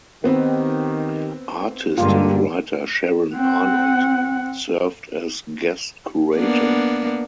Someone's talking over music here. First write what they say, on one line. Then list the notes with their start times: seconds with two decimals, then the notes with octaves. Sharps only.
Artist and writer Sharon Arnold served as Guest Curator.
0.24 D#3 B3 C4 G4 B4
1.98 G2 D3 G#3 A#3 F4 G4
3.35 C4 F#5
6.36 A#3 B3 D4